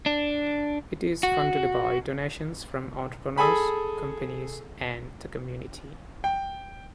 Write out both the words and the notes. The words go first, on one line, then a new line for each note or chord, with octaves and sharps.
It is funded by donations from entrepreneurs, companies, and the community.
D4
F#4
G#4 A4 G#5 B5
G5